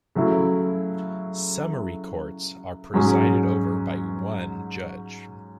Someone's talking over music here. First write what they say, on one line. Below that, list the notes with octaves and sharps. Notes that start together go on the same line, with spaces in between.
Summary Courts are presided over by one judge.
C#3 F#3 A3 E4
G#2 F#3 C#4 G#4